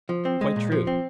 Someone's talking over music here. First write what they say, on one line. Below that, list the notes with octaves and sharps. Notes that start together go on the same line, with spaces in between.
Quite true.
F3
C4
G#3
A#2
F3
C4